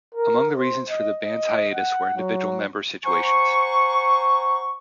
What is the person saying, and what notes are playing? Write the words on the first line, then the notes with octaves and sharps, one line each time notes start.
Among the reasons for the band's hiatus were individual member situations.
A#4
C5
D#5
D#5
F#5
F#3
C5 F#5 G#5 A#5 C#6